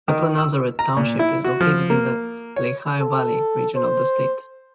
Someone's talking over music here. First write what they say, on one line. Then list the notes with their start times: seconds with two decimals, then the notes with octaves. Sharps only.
Upper Nazareth Township is located in the Lehigh Valley region of the state.
0.08 D#3
0.38 E6
0.79 A#5
0.97 A#2
1.19 E4
1.44 F#4
1.61 F3
1.90 A#3
2.56 C#5
3.00 A4
3.76 C5